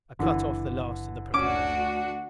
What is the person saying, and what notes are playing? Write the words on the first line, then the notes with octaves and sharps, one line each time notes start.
I cut off the last of the propellers.
F#1 D3 E3
D2 C#4 D4 F#4 D6